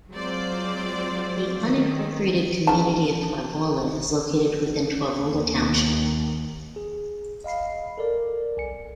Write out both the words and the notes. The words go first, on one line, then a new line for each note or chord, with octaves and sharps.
The unincorporated community of Toivola is located within Toivola Township.
F#3 G#3 C4 F4 C5 D5
D#3
C#3 A5
D#2
G#4
D#5 F5 B5 C7
A4 A#4 D5
B1 G#5 C#7